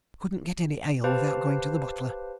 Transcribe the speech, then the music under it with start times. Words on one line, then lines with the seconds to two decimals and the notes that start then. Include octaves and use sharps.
I couldn't get any ale without going to the butler.
1.04 G4 B4 C5 F5 A5